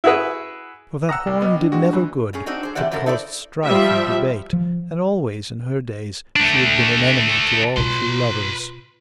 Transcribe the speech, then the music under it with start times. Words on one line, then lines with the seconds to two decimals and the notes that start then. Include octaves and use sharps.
For that horn did never good, but caused strife and debate, and always in her days she had been an enemy to all true lovers.
0.04 E4 F#4 G#4 B4
1.09 F#5 A#5 D#6 E6 A#6
1.27 C2
1.42 B3 D#5
1.59 D4
1.72 G#3 C4 F#4
1.93 E3
2.33 A2 C#4 G#4
2.46 C4 D4 D#4 F#4
2.63 G#4 C5
2.75 C3 E3 G4 D5 F#5
2.91 C#3 F#3 A3 A4 A#4
3.06 D#4 E4 A4 C5 D5
3.66 F3 G3 E5
4.53 F3
6.36 A3 D4
7.77 B2 F4 B4 C6